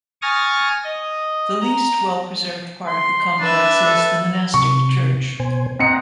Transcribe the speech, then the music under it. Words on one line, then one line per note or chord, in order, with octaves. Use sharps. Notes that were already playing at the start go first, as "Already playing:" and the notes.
The least well-preserved part of the complex is the monastic church.
G#5 C#6 D#6 F6 A6 A#6
D#5
A#5
C6
D4 B4 E5
A4
C3 C#6
B2 C5 G#5
C4 D#5 F#5 A#5 C#7